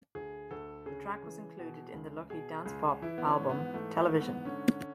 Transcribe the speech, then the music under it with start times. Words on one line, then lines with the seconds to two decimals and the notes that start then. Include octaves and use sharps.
The track was included in the lucky dance-pop album "Television".
0.15 D2 G#4
0.51 D2 A4
0.86 C#3 G#4
1.23 E3
1.59 B2
1.94 C#2
2.30 B2 G#4
2.66 C#2 G#4
3.02 E3 E4
3.18 B3
3.26 C#4
3.38 G#2
3.49 B3
3.74 E3 A3
3.97 A3
4.09 G#2
4.21 B3
4.45 D3 C#4